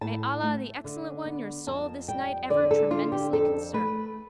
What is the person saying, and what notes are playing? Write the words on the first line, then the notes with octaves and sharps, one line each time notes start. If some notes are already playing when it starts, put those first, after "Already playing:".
May Allah the Excellent One your soul this night ever tremendously conserve.
A2 A5
A3
D3
B3
F2 A5
G3 G5
D3 D5
A4
D4 F4
G4
F2 A4
A3 B4